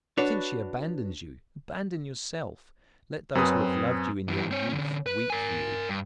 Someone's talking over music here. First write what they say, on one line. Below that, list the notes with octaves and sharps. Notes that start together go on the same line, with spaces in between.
Since she abandons you, abandon yourself! Let those who have loved you in your youth weep for you!
D4 F#4 B4 C#5 D5
F#2 C4 C#4 B4 D#6
F#2 E3
C4 C#5
D3 C#4
B4
A#4 G#5
G2